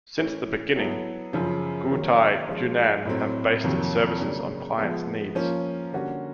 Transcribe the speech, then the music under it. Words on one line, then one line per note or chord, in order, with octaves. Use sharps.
Since the beginning, Guotai Junan have based its services on clients' needs.
E3 A3 C#4 E4
F#3 B3 E4 A4
F#2 C#3 F3
D#3 F#3 A#3 C#4
F3 G#3 C#4 F4
A2 F#3 A3 C4
F2 C3 D#3 F#3 A#3
C#3 F#3 A#3 D4
F3 G#3 B3
F3 A#3 C#4
D3 G3 A#3 C#4 F#4